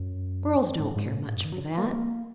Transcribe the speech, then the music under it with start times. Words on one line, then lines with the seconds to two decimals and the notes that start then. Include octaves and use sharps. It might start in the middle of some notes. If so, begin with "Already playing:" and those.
"Girls don't care much for that."
Already playing: F#2
0.80 G#2
0.96 G#2
1.11 A#2
1.28 G#2
1.36 F#2
1.45 D#3
1.52 F#3
1.78 A#3
1.85 G#3
1.92 A#3